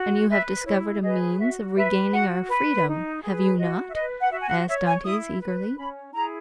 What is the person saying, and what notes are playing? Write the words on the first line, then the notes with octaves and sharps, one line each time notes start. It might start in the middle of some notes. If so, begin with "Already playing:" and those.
"And you have discovered a means of regaining our freedom, have you not?" asked Dantes eagerly.
Already playing: F#4
B4 E5
E4 C#5
G#4 B4 D#5
F#4 E5
B4 E5
F#4 F#5
B4
D#4
G#4 B4
F#4 D#5
E5
B4 D#5
F#5
F#4 E5
G#5
F#5
C#5 E5
G#5
E4 D#6
B4
C#4 B5
E4 G#4 A#5